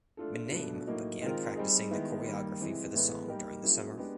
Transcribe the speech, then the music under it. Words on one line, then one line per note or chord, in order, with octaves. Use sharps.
Myname began practicing the choreography for the song during the summer.
A3 D4 F4 A4
B2 F#3 A3 D4
A2 F#3 A#3 D#4
D#3 G#3 C4 F4 A#4
G3 C4 D#4 G#4
D#3 G#3 B3 E4
D#3 G3 A#3
C3 E3 G#3
A2 E3 G#3 B3
G3 A#3 D#4 G4 A#4
F#3 A#3 C#4 E4 G#4
G#3 B3 D4 G4